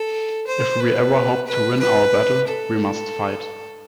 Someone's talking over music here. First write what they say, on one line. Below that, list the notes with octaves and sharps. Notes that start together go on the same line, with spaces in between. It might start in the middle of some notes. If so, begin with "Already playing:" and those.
If we ever hope to win our battle, we must fight.
Already playing: A4
C5
B4
B4
B4
A4